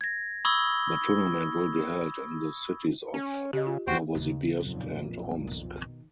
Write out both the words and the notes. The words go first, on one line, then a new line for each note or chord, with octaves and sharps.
The tournament will be held in the cities of Novosibirsk and Omsk.
G#6 A#6
B5 C#6 D#6 E6 G#6 G7
C#4
C#3 G4 D#5
F4
E2 F#4 C5 G5
D#2 C#3
B1 F2 A#2
B2 D#3